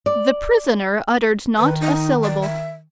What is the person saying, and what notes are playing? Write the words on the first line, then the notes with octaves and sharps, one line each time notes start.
The prisoner uttered not a syllable.
D5
D#3 B4
D#4
D5
E5